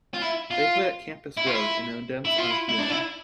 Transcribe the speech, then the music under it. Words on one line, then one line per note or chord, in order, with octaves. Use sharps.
They play at Campus Road, in Odense on Funen.
F4
E4
F4
E4
F4
E4
E4
F4
E4
E4
D4
E4